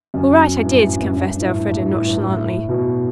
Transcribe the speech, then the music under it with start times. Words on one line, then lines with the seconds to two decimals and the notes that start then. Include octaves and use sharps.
"All right, I did," confessed Elfreda nonchalantly.
0.14 F#2
0.60 A2
0.65 G2
0.78 A2
0.90 G2
1.03 F#2
1.16 G2
1.37 G2
1.41 A2
1.67 G2
1.79 G2
1.92 A2
2.05 G2
2.18 A2
2.69 B2